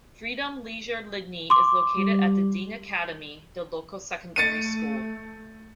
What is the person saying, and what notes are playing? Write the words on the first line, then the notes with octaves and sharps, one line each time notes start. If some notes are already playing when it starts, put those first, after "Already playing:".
Freedom Leisure Lydney is located at the Dean Academy, the local secondary school.
C6 D6
G3
A3 A6 C#7 D#7